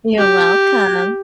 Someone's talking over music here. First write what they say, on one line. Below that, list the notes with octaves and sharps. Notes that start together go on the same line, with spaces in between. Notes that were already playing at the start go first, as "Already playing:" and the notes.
You're welcome!
G4